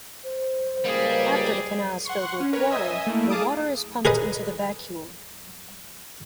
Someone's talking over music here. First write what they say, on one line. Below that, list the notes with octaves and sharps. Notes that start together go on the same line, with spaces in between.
After the canals fill with water, the water is pumped into the vacuole.
C5
C#2 G3 A#3 G#4
F#5 C6 C#6
C#4
A#4 B4 C#5
D#5 E5 G#5 D#6 E6
A3 A#3 E4
G#4 F5 A5 D6 D#6 D7
G#4 A#4 B4 D#5